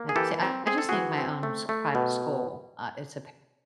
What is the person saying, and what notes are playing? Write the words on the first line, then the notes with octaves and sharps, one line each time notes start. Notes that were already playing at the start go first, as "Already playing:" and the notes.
Uh, see, I just need my own s private school, uh, it's ap
Already playing: A#3
G#4
E3 G4 A4
C4
C4 G#4
A4
E3 F#4 G#4
C4
A3
A3
B2